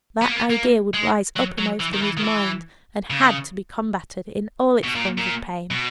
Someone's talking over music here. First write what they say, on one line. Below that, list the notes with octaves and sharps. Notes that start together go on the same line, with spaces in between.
That idea would rise uppermost in his mind, and had to be combated in all its forms of pain.
B3
A#3
B3
A#3
G#3
F#3
F#3
E3
D#3
E3
D#3
E3
C#3
B2
A#2
A#2
B2